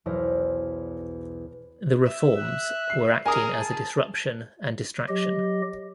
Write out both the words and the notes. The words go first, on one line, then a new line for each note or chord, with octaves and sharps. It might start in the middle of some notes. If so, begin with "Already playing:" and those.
The reforms were acting as a "disruption and distraction".
B1 E2 C5 E5 F6 A#6
E5
F#6
C7
G#4 A#4 G#5 D#6
A5
F#3 G4 D#5